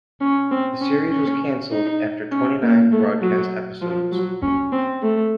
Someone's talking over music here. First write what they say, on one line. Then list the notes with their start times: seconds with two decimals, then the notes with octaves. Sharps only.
The series was canceled after twenty-nine broadcast episodes.
0.21 C#4
0.51 C4
0.81 C#4
1.11 C#4
1.71 D#4
2.32 C#4
2.62 A#3
2.92 A3
3.21 F#3
3.82 F3
4.12 F#3
4.42 C#4
4.72 C4
5.02 A3